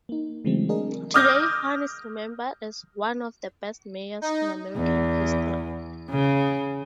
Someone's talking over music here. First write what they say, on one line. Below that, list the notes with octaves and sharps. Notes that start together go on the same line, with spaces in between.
Today, Hoan is remembered as one of the best mayors in American history.
A#3 D#4
C#3 E3 F#3 G#3 A3 C4
D4 G#4 A#4 D#5
D6 D#6 F6 G6 A#6
D#4
E2
C#3